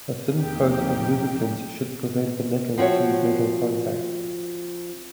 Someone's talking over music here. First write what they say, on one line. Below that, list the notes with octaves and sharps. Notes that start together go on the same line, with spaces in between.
A thin coat of lubricant should prevent the metal to metal contact.
E2 F3 A#3 D#4 G4 G5
F3 C4 F#4 C#5 E5